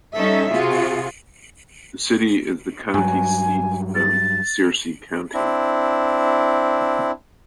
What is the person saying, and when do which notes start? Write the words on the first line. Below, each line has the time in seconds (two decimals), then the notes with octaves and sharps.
The city is the county seat of Searcy County.
0.15 G3 C#4 D#4 A4 E5
0.52 C3 F4 F#4 G#4
2.94 G2 F#3 G#5
3.95 A6
5.34 C4 D4 E4